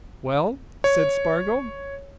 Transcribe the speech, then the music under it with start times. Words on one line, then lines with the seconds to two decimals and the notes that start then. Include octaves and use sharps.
"Well?" said Spargo.
0.84 C#5